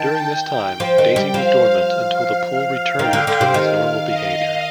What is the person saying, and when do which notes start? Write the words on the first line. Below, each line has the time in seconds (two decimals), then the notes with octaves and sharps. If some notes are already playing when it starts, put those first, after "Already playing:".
During this time, Daisy was dormant until the pool returned to its normal behavior.
Already playing: D#3 G5 A5
0.25 G5
0.80 F3
0.98 D#3
1.16 G3
1.34 F3 F5
2.44 F5
2.99 D#3 G5
3.13 D3
3.27 D3
3.41 C3
3.54 D#3 F5
4.09 D#5